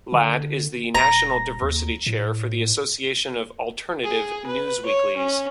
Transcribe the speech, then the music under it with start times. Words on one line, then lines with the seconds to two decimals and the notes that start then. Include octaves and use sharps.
Ladd is the national Diversity Chair for the Association of Alternative Newsweeklies.
0.12 D3
0.95 D#1 A#5
1.62 D#2
2.06 A2
4.04 G#4
4.47 B4
4.86 C#5
5.17 C#4